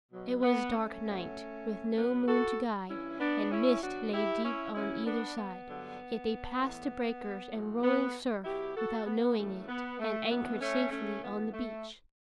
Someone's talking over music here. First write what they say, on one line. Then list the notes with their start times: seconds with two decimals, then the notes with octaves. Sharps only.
It was dark night, with no moon to guide, and mist lay deep on either side, yet they passed the breakers and rolling surf without knowing it, and anchored safely on the beach.
0.12 B2 F#3
0.43 B3
0.74 A3 C#4
1.04 B2 F#3
1.97 B2 F#3 B3
2.28 F#4 A4
2.89 G2 E3 C#4 E4
3.20 B3 D4
3.51 C#4 E4
3.82 B2 F#3 D4 F#4
4.13 E4 G4
4.44 C#4 E4
4.75 F#2 C#3 E3 C#4 E4
5.05 B3 D4
5.36 B3
5.67 G2 D3 F#3
6.60 A2 E3
7.52 A2 F#3
7.83 B3
8.45 B2 F#3 E4 G4
8.76 F#4 A4
9.06 B3
9.37 F#2 C#3 E3 A3
9.68 B3
9.99 A3
10.29 F#2 E3 B3
10.61 A3 C#4
10.91 A3 C#4
11.22 G2 E3 B3
11.53 A3